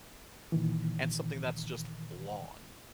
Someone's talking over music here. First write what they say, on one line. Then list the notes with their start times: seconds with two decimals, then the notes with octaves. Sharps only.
and something that's just long.
0.52 A#2 D#3 E3